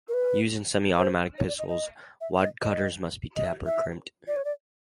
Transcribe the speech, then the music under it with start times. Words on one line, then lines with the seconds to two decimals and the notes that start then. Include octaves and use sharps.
Used in semi-automatic pistols, wadcutters must be taper crimped.
0.09 A#4
0.14 B4
0.97 C5
1.38 C#5
1.48 D5
1.59 D#5
1.69 D#5
2.21 E5
2.41 D#5
2.62 D#5
3.36 D#5
3.45 E5
3.66 E5
4.28 D5
4.36 C#5
4.45 D5